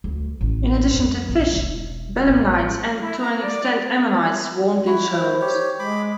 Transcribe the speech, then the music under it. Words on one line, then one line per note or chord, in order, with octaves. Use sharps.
In addition to fish, belemnites and to an extent ammonites swarmed in shoals.
D2
A1
F2
A#1
E1
A1
E4
A#5
D5
E4 F#4
C5
G4 C#5
G#3 B5 D6